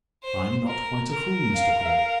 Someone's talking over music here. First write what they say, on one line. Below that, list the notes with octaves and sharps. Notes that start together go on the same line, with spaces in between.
I'm not quite a fool, Mr. Caudle.
C5
A#4
A#4
F5
F5